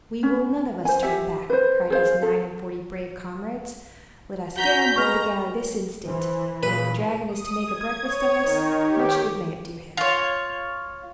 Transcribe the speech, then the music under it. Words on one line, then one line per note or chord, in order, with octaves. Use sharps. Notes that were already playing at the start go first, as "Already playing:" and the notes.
"We will none of us turn back!" cried his nine and forty brave comrades. "Let us get on board the galley this instant; and if the dragon is to make a breakfast of us, much good may it do him."
C#4
C5 G#5
G4 E5
B4 C5
G#4 C5 F5
A4
F#4 A#5 G6 B6
G#3 A#5 C#6 F6
E3 C5
A#2 C#3 B4
D#6
G#6
C#5
D#3
G4
F4 C#5